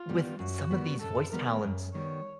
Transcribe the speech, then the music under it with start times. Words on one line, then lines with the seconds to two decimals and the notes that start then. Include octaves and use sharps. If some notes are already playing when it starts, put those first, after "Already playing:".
with some of these voice talents,
Already playing: F4
0.09 D#3 G3 B3
0.39 F#2 F#4
0.71 D#3 G3 B3
1.01 F#2 A4
1.32 D#3 G3 B3 A#4
1.64 F#2
1.94 D#3 G3 B3 C#5